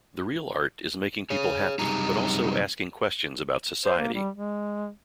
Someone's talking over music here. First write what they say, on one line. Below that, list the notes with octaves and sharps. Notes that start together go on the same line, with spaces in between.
The real art is making people happy, but also asking questions about society.
G#4 C#5
F#2 C3 G3 D#4 G#4 A#5
C5
A#3
G3
G#3